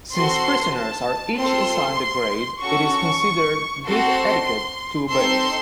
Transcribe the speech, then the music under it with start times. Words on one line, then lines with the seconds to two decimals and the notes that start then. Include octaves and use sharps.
Since prisoners are each assigned a grade, it is considered good etiquette to obey.
0.13 C4 F#4 A4 C6
0.76 A5
1.38 C4 F4 A4 C6
2.62 C#4 F#4 A4 C#6
3.85 C4 F#4 A4 C6
5.10 C4 D#4 A4 C6